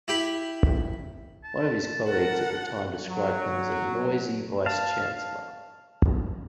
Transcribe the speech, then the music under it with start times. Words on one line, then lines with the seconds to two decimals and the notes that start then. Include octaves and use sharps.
One of his colleagues at the time described him as "a noisy" vice chancellor.
0.08 E4 G4 B5
1.44 A5
2.07 A#4 F#5
3.07 F#3
4.66 F5 A5